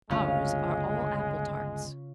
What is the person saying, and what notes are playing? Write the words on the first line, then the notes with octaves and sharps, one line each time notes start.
Ours are all apple-tarts.
G1 D2 C#3 G#3 C#4 F4